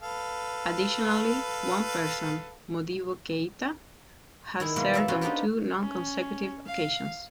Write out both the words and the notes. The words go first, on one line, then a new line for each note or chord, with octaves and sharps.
Additionally, one person, Modibo Keita, has served on two non-consecutive occasions.
A4 B4 F5
D#3 E4 G#4
B2 F#3 G#3 A#3
A4 D5 E5 F5 A5
C4 C#4 F#4 B4 G5 A5
B3 D4 D#4 F4 G4 A#4
C#4
F5